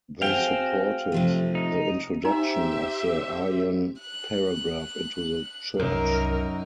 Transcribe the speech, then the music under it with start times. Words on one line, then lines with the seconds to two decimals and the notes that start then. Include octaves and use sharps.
They supported the introduction of the Aryan Paragraph into the Church.
0.22 C4 F#4 G#4 F5 G5
1.12 C3 F3 A3
1.55 D#4
2.24 D#4 G4 C5 E5 G#5 A#5
4.00 F#6
5.80 C2 F#2 D#4 A#4